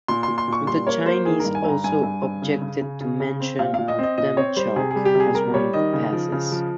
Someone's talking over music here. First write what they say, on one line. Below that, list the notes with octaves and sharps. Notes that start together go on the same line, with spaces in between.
The Chinese also objected to the mention of Demchok as one of the passes.
A#2 C6
A#2 C6
C6
A#2 C#6
G3 C6
A#3 C#5
A#3 C5
D#3 G#4
G2 A#4
G#5
G2 A#5
G2 G#5
G2
G2
C#3
C#3
C#3
C#3
C#3
C4
A#2 F5
A#2 F5
D#5
C4 D#5
A#2 D#5
C4 C#5
G3 C5
C3 G#4
G#4
G3
G4
C3
G#4
G3 A#4
G3 C#5
D#3 D#5
C#3
F3
C#3
F3